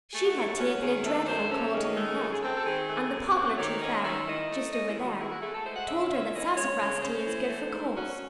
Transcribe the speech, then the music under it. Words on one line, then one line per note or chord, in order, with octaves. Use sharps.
She had taken a dreadful cold in her head, and the poplar-tree fairy, just over there, told her that sassafras tea is good for colds.
A3 G#4
F#4
F#2 E4
F#4
C#4 F#4
D#3 G#4
A3 A4
F#2 C5
C#4 A4
D#3 G#4
A3
F#2
G#4
C4 A4
A4
D#3 G#4
A3
F#2
C4 F#4
D#3 C#5
C#4 D#5
D#3 E5
E4 D#5
A3
C#4 D#5
E4
D#3
F#4
E4 G#4
F#4
A3 G#4
A4
G#3 C5
F#5
C#3 E5
E5
C#4 E5
E3 D#5
G#3 C#5
C#3
C#4 C5
E3
A3
G#2
C#4 F#4